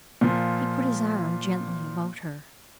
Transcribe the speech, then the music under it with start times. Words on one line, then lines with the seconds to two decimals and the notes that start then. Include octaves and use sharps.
He put his arm gently about her.
0.21 A#2 F3